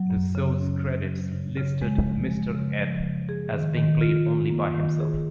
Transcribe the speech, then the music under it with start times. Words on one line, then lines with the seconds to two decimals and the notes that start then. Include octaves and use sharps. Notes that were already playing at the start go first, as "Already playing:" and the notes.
The show's credits listed Mister Ed as being played only by "Himself".
Already playing: F#3
0.10 F#2
0.35 C#3
0.59 C#4
0.84 C#3
1.08 F#3
1.32 C#3
1.57 C#3
1.82 G#3
2.05 F3
2.30 G#3
2.55 C#3
2.79 F3
3.04 C#3
3.29 G#4
3.53 D#3
3.77 D#3
4.01 F4
4.26 D#3
4.50 A#3
4.74 D#3
4.99 G#4